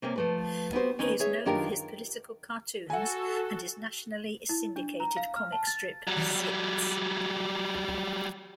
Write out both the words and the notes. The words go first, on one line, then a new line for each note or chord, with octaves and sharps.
He is known for his political cartoons and his nationally syndicated comic strip "Zits".
C3 A#3 C4 C#4
F3 A3 B4
B3 C4 F#4 G4 A4 C5
D#2 C#4 D#4 A#4 B4
G#4 C#5 E5
F#2 D#3 D4 F4 G4 A#4
F#4 A4 F#5 G#5
E4
D4
A#5
F5
F6
A5
A6
F#3 G3